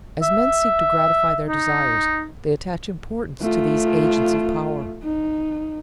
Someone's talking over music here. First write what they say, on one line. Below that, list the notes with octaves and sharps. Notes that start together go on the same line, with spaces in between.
As men seek to gratify their desires, they attach importance to these agents of power.
E5
D#4
A3 F4
D#4